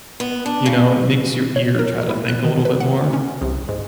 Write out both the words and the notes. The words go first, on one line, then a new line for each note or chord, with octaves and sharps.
you know? It makes your ear try to think a little bit more.
B3
D4
C#3
C#5
A#4
E4
F#6
D#3
B4
F#5
C#4
C2
G#2